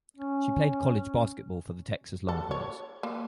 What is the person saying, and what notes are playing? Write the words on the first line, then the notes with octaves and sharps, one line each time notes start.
She played college basketball for the Texas Longhorns.
C#4
A4
C#5
A#3